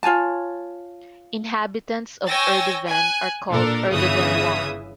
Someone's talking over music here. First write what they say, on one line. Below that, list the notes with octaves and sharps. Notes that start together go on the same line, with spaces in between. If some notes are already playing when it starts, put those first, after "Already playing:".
Inhabitants of Erdeven are called "Erdevenois".
F4 C#5 G#5 A5
C#5 G5 G#5 E6 A6 A#6
G#5 F#6
A#2 D4 A4 A#4
G1 C#3 E3 E5 D#6